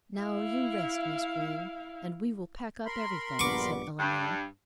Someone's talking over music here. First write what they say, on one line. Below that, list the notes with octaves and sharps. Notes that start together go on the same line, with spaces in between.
"Now you rest, Miss Green, and we will pack up everything," said Eleanor.
E4 F5
A#4 B5 C6
A#1 G2 B3 C#6 D6
G2